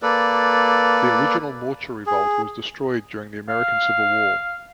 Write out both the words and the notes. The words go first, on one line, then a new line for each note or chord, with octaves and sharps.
The original mortuary vault was destroyed during the American Civil War.
A#3 A4 B4 D5
G#4
F5